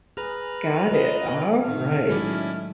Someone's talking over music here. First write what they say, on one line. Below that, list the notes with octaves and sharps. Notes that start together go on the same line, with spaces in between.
got it, all right.
G#4 B4 A#5 F6
F4 D#5
C#5
A2 D#3 F6
F#3 G#3 C#4 E4 D5